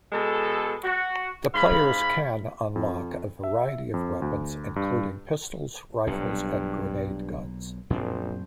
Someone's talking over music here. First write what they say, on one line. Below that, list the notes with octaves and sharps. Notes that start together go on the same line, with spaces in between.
The players can unlock a variety of weapons, including pistols, rifles, and grenade guns.
B2 G#3 A4
F#4
G#2 F5 B5
F2
E5
F2
D2
G2
B1 G2 A#2
A#1 F#2 A#2 C4